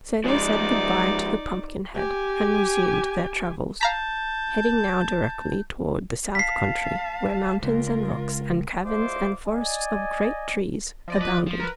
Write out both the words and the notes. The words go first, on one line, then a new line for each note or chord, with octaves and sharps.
So they said good-bye to the Pumpkinhead and resumed their travels, heading now directly toward the South Country, where mountains and rocks and caverns and forests of great trees abounded.
F3 G#3 D#4 D5
G4 G#5
F5 A5 A#5 G6 B6
F5 A5 B6 C7
C#2 F4 A#4
G#3 E4 F4 C5 D5 D6
D5 D#5 G#5
F3 D5 D#5
B4
F3
A#4 B4